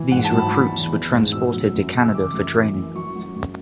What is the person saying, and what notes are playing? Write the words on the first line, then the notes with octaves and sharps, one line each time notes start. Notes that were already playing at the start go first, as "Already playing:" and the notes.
These recruits were transported to Canada for training.
Already playing: E3
G#2 F#5
A5
F#3
B5
E3 B5
E2
E3
G#2
B2 E6
F#3
F#2
C#3
E6
E3 D6
F#2
E3
F#2
F#3 C#6
F#3
F#2